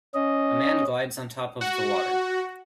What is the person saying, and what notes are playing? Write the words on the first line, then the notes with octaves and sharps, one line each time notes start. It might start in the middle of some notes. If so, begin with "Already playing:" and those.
A man glides on top of the water.
C#4 D#5
F#4